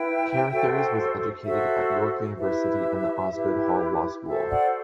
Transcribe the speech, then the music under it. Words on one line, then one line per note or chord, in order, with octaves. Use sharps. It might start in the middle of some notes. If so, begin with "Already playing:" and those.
Carrothers was educated at York University and the Osgoode Hall Law School.
Already playing: E4 B4 E5 G5
F#4 A4 C5
F#4 A4 C5 E5
E4 G4 B4 E5
E4 G4 B4
F#4 A4 C5 E5
D5 F#5